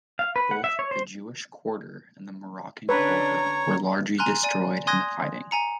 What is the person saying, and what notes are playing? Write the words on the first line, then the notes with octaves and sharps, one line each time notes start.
Both the Jewish quarter and the Moroccan quarter were largely destroyed in the fighting.
F5
B4
F#5
E5
C#5
C5
D3 C#4 D4 B4 C#5 A#5
G#5 A#5 C6 F6 F#6
D5 G#5
G#5 C6 D#6 F#6 G#6 A#6
G#5 A#5 C#7